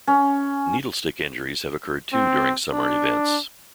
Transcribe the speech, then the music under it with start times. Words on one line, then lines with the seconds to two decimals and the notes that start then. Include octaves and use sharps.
Needle stick injuries have occurred too during Summer events.
0.07 C#4
2.13 C4
2.71 D4